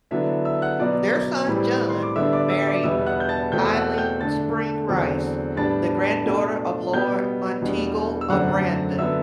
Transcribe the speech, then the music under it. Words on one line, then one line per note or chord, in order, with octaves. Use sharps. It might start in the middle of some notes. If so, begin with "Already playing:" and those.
Their son John married Aileen Spring Rice, the granddaughter of Lord Monteagle of Brandon.
D3 F#3 B3 D4 E4 E5
E5 E6
F#5 F#6
B2 F#3 B3 D5 D6
A2 E3 G3 C4
C6
D6
D3 G3 B3 D4 E5 E6
D5 D6
E5 E6
D5 D6
E2 B2 G3 B3 E5 E6
F#5 F#6
G6
A5 A6
E2 B2 A3 C4 G5 G6
E6
F#5 F#6
G5 G6
D3 A3 D4 A5 A6
E2 D3 F#3 C4
A2 G3 B3 D4 A5 A6
B2 A3 D4
B2 G3 B3 G5 G6
E2 B2 G3 D4
E6
F#2 D3 A3 C4 F#5 F#6
D3 F#3 B3 E5 E6